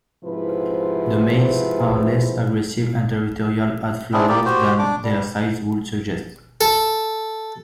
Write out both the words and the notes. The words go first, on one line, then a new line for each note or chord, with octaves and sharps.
The males are less aggressive and territorial at flowers than their size would suggest.
G#2 C3 F3 E4 B4
C4 D4 E4 G#4
A#3 G4 D5
F#4 G4 C5
D4 D6
G3
A4